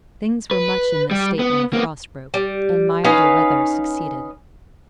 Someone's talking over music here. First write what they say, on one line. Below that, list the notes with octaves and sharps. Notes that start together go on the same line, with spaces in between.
Things were much in this state when the frost broke, and milder weather succeeded.
B4
G3
B3
A#3 B3
G3
C#4 D#4 B4 F5